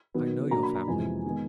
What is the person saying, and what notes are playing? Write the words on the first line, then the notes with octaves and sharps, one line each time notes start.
I know your family.
D#3 F#3 B3
B2 F#3 A#3 D4 A#5
B5
A#5
F2 C3 E3 G#3 G#5
D#3 G#3 B3